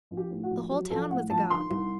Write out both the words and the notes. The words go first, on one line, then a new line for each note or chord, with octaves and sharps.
The whole town was agog.
A#1
G4
A2
F#4
A#1
F#3 G4
A#1 A4
A2 F#5
A#1 A5
D#3 C6
C2